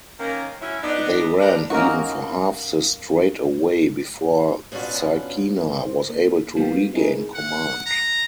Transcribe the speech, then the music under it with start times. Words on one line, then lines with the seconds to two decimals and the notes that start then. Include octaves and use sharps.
They ran even for half the straightaway before Zykina was able to regain command.
0.19 D#3 A#3 C#4
0.61 F#3 C#4 E4
0.82 B3 D4 D#4
1.39 D4 D#4 G4 A#4 B4 D5
1.70 A#3 C#4 D#4 F#4 A#4
4.72 B2 C#4 D4 F4 F#4
5.78 C5
6.10 A#3
6.56 F#3 G#3 A#3 B3 F4 G4
6.93 C4 D#4 E4 G#4 A#4 B4
7.34 F#5
7.86 A#5